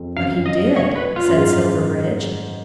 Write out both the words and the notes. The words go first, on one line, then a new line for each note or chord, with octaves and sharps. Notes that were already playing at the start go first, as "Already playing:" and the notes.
"But he did," said Silverbridge.
Already playing: F2
F#2 F5
D#5
C#5
B4
F4
F#2
G#2